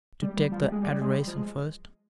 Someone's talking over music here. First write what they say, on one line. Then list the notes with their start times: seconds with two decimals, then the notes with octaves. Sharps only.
To take the adoration first.
0.22 G3
0.37 G3
0.52 F3
0.62 G3
0.72 G#3
0.82 G3
0.92 G3
1.01 G#3
1.12 G3
1.27 F3
1.37 G#3